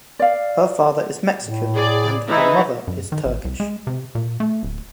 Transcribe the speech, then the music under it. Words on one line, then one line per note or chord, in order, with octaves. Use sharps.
Her father is Mexican and her mother is Turkish.
D5 F5
A2
G#4 D5
E3 D#4 E4
F#2
D#3
A1
C2
G#3
C3
A#2
A3
D1